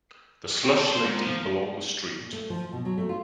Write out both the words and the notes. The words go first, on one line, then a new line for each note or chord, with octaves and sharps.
The slush lay deep along the street.
C4
A5
C5
G#2
F3
A#2
A3
F3
B2
F#3
A3
F4